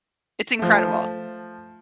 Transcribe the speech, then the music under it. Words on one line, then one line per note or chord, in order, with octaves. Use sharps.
It's incredible.
F3 A3